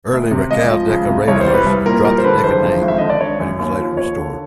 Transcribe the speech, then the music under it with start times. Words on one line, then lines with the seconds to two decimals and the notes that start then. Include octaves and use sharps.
Early Racal-Decca radars had dropped the Decca name, but it was later restored.
0.12 D2
0.31 C3
0.51 C#2 D#5
0.71 F3
0.90 C#2
1.09 C3
1.28 C2 C#5
1.41 C5
1.47 G3
1.54 B4
1.66 C2
1.86 A#2 A#4
2.05 G3 A#4
2.18 C5
2.24 D3 B4
2.43 F#1 C5
2.62 F2
2.82 G#1
2.88 E5
2.98 D3 D#5
3.10 D5
3.21 G#1 C#5
3.40 F#2
3.59 D#2
3.79 F3
3.97 D#2 C#5
4.18 D3